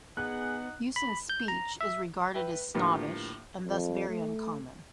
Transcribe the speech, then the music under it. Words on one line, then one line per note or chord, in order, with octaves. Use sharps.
Use in speech is regarded as snobbish and thus very uncommon.
B3 D#4 G#4 F#5 F#6
B5
G6
A#5
E5
B4 E5 G5
A2 D3 F3 A#3 B3 G4
F2
A3